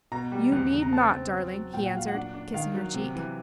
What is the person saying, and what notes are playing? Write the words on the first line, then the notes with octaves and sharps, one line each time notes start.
"You need not, darling," he answered, kissing her cheek.
B2 A#5
G3
E2
C#3
A#5
C4 A5
C4
F#3
F#3
A#2 G5
F#5
F#3 F5
F#5
D4
D4
D#3 F5
F#3
C3
E3